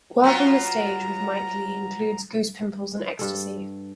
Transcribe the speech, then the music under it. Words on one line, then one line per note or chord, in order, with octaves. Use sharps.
Work on the stage with Mike Leigh includes "Goosepimples" and "Ecstasy".
F#3 B3 F4 A#5
G2 A4